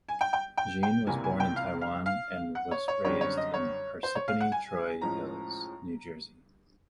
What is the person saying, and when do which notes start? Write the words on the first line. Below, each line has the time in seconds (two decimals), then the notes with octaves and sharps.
Jean was born in Taiwan and was raised in Parsippany-Troy Hills, New Jersey.
0.09 G#5
0.21 G5
0.33 G5
0.57 G5
0.83 G5
1.07 C#2 C3 E3 G3 A#3 G#5
1.24 G#5
1.40 G5
1.56 F5
1.81 F5
2.06 F5
2.55 F#5
2.71 C#5
2.88 C#5
3.05 F#2 D3 G3 C4 C#5
3.21 C#5
3.37 D#5
3.54 C#5
4.03 C5
4.15 C#5
4.28 F5
4.41 F#5
4.52 G#5
5.01 A2 F3 G#3 C#4 A#5